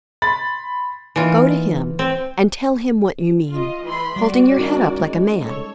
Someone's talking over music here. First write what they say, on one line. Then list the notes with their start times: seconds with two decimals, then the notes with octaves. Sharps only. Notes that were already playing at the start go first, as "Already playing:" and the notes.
Go to him, and tell him what you mean,--holding your head up like a man.
0.22 B5 C6 A6
1.16 E3 A#3 D#4 F4
1.99 C4
3.53 F4 D#5
3.85 E3 B5 C6
4.16 G3 F#4 D5
4.58 C#4 D#4 A#4
5.00 G#3
5.43 A4 C#5